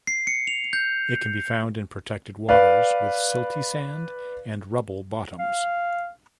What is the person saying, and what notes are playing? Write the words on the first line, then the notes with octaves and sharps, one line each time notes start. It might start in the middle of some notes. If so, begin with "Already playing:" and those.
It can be found in protected waters with silty sand and rubble bottoms.
C7
C#7
F7
G6
B4 D5 F5
F5